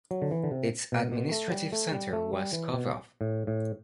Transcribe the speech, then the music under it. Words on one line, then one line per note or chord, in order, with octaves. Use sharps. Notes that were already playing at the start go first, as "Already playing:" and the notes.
Its administrative centre was Kovrov.
F#3
D3
E3
D3
C3
B2
B2
A3
F#3
G3
A3
G3
A3
G3
E3
B2
A2
A2